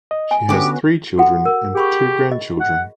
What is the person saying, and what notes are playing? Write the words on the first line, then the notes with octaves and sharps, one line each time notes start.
She has three children and two grandchildren.
D#5
G#5
D3 B3 C#4 F#4 G4 D6
F#4 A4 F#5
A#4
G4 G#4 B5 C#6
D#5
F#5